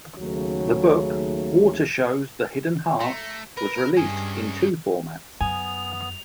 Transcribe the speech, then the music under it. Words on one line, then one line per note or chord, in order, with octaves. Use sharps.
The book "Water Shows the Hidden Heart" was released in two formats.
D#2 C#3 F#3 A3
A3 A#5
A#4 B4
G2 C#4 G#4 D#5
F#2 B3 G#5 D#6 F7